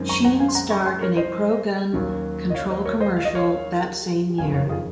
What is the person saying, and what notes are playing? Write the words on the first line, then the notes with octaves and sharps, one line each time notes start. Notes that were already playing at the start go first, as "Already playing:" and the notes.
Sheen starred in a pro-gun control commercial that same year.
Already playing: F#2 D#3 G#3 C4
A#5 C#6
F#5 A#5
F5 G#5
C6
F#5 A#5
A#5 C#6
G#5 C6
A#4 C#5
C5 D#5
D#2 D#3 F#3 C#4
D#5
C#5 F5
C5 D#5
A#4 C#5
C5 D#5
F5
D#5
C#5 F5
F#1 F2 D#3 F5 G#5
C#5 F5
F4 G#4